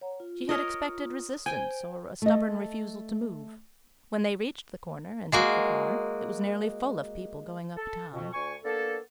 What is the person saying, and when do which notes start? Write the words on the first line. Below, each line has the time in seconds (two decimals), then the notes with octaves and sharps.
She had expected resistance or a stubborn refusal to move. When they reached the corner and took the car it was nearly full of people going uptown.
0.01 C#5 F#5 A#5
0.20 F4
0.49 A#4 C#5 D#5
1.46 C5 G5 G#5
2.22 A3 D#5
5.32 G#3 A#3 F#4
7.77 A4
8.13 F2 B2
8.33 D2 G#5 C#6
8.64 A#3 B3 D4 A4